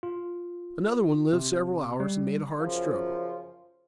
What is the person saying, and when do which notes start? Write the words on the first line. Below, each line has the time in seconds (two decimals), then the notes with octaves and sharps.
Another one lived several hours, and made a hard struggle.
0.03 F4
1.33 C3
2.00 G3
2.59 F#2 C#3 F3